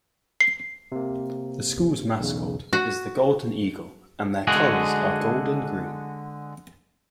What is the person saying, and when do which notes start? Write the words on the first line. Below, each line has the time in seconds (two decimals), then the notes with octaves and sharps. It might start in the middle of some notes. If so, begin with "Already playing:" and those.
The school's mascot is the golden eagle and their colors are gold and green.
0.40 C7
0.92 C3 A#3
2.20 B1 E2 C#3
2.73 F#4
4.47 D3 G#3 F#4 G#4